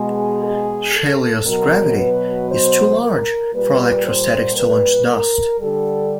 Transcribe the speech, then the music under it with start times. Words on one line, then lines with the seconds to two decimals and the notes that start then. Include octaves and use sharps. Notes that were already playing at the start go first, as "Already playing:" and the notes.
Scheila's gravity is too large for electrostatics to launch dust.
Already playing: B2 G#3 G#4
0.43 G#4
0.94 A4
1.46 B2 F#3 A#4
1.98 B4
2.50 C5
3.01 A#4
3.53 A#2 G3 B4
4.05 C5
4.56 B4
5.09 A#4
5.59 D3 G3 A4